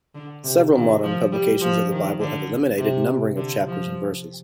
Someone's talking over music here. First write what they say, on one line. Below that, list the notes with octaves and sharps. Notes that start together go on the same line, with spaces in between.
Several modern publications of the Bible have eliminated numbering of chapters and verses.
D3
C3
D#3
F3
G3
F3
D#3
D3
C3
D3
F3